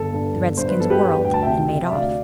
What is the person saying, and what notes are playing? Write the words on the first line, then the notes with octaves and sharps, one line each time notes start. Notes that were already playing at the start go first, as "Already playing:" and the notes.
The redskins whirled and made off.
Already playing: G1 A4
G2
G1
G2 C5
B4
B3 A4
G4 B4
G2
D2 G5
A5
C3 E5 G5
C3
E5
D2 D5 F5